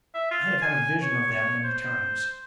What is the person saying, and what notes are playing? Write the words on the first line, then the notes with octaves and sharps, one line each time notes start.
I have had a vision of that many times.
E5
F4
G#5
C#5
C#5
C5